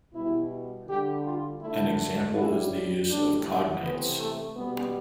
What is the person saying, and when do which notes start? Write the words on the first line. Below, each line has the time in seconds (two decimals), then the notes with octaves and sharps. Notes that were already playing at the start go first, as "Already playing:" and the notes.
An example is the use of cognates.
0.14 B2 G3 E4
0.87 D3 G3 G4
1.24 F4
1.61 D3 A3 E4
2.35 A2 G3 E4
3.09 A2 G3 D4
3.82 C3 E3 A3 B3
4.19 A3
4.55 B2 G3 B3